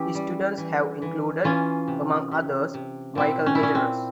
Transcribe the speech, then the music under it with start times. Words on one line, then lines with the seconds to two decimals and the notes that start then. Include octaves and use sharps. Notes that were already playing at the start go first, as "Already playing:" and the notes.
His students have included, among others, Michel Majerus.
Already playing: E3 C#4 E4 G4
0.15 G3
0.58 E3
1.02 E3
1.44 E3 C#4 F4
1.88 C3
2.31 C3
2.74 C3
3.15 A#2 C4 E4
3.46 C#4
3.55 E4
3.60 A#2 C#4
3.75 C4